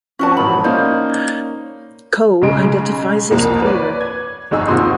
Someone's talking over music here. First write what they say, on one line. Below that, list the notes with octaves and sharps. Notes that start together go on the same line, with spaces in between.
Koe identifies as queer.
F3 C4 C#4 F#4 A5
E1 A1 B5
A#3 C#4 D#4 C5 D5
B1 C#3 G#3 D7
C2 F2 A#3
B4 C#5 D5
G#6
G1 F2 D#4 G#4 E6
D#2 A#2 C4 F#4 C6 D#6